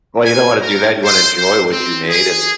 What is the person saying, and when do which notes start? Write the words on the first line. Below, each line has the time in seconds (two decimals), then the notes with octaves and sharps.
Well, you don't wanna do that, you wanna enjoy what you made, and,
0.25 G#5
0.61 A#4
1.05 C5
1.38 C5
1.71 C4
2.08 G#4